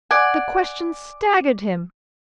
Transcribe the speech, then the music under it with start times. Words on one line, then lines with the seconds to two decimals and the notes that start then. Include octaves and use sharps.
The question staggered him.
0.11 D5 F#5 G#5